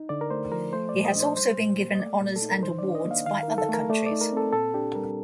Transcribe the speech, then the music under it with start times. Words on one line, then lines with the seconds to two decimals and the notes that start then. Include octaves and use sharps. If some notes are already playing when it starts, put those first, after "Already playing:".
He has also been given honours and awards by other countries.
Already playing: D#4
0.09 D3 D5
0.21 A#4
0.30 A3 C5
0.52 F3 A#4
0.73 A3 C5
0.89 D5
0.94 A#2
1.05 D#5
1.16 D4 C5
1.36 G3 C5
1.57 A#2
1.78 A#3
1.95 D#5
2.00 A3 D5
2.21 A#2
2.36 A4
2.42 D#4
2.49 A#4
2.63 D#3 C5
2.79 D5
2.84 D4
2.95 D#5
3.05 A#3
3.11 F5
3.26 D#3 F5
3.43 A#4
3.48 D#4
3.58 A4
3.69 A3
3.74 A#4
3.90 A3 D5
4.06 D#4 D5
4.21 A#4
4.32 C4 A4
4.53 A#2 A4
4.74 D4 G4
4.95 G3 A#4